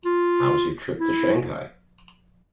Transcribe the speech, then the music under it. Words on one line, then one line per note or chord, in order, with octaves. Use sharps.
How was your trip to Shanghai?
F4
E4